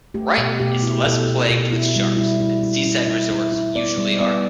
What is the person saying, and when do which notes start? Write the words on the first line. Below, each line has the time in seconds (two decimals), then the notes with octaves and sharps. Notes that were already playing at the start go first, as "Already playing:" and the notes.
Brighton is less plagued with sharks than seaside resorts usually are.
0.14 A3 G4
0.38 B2
0.60 B2 G4
0.83 E4
1.05 B2 A4
1.28 B2
1.50 B2
1.73 E4
1.96 G3
2.17 E4
2.40 E4
2.63 E4
2.86 E4
3.08 E4
3.31 E4
3.52 E4
3.76 B3 D5
3.98 G3
4.20 B3 D5